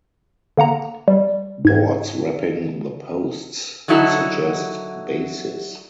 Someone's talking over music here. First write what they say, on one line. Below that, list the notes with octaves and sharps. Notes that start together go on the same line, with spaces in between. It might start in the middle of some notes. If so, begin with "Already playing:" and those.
Boards wrapping the posts suggest "bases".
D3 A#3 F#5 A#5
G3
G#2 G#6
D3 F#3 D#4 E4 F#4 A4